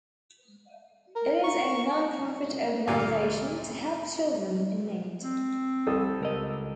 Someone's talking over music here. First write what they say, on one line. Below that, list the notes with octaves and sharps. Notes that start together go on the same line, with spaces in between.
It is a non-profit organisation to help children in need.
A#4
C#6
D2 A#2 G3 A#3
C4
C2 A4 D#6
C#2 A#4 D#5